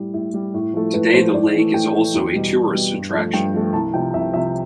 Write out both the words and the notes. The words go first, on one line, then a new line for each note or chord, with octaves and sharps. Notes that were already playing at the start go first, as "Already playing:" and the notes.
Today, the lake is also a tourist attraction.
Already playing: A2 G3
A2 E4
G3
A2
F3 A3
A2 B4
F3 A3 C5
A2 D5
E3 A3
A2 G5
E3 A3
E2
B2 G3
E2
B2 G3
G2
F3 A3
G2 G5
F3 A3
C2 A5
C3 F3 G5
C2 E5
C3 F3 E5